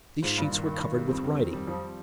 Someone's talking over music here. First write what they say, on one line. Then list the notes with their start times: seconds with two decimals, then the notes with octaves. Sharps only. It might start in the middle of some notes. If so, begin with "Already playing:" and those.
These sheets were covered with writing.
0.22 G#2 F4
0.37 G2 A#2
0.52 D#3
0.66 D#3
0.81 D#3
0.96 G3
1.09 F2 C4
1.24 D#3
1.38 C4
1.53 G3
1.67 F2 F3